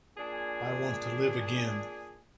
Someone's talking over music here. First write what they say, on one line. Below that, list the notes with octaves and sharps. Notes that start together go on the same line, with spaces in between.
I want to live again.
A#2 D4 G#4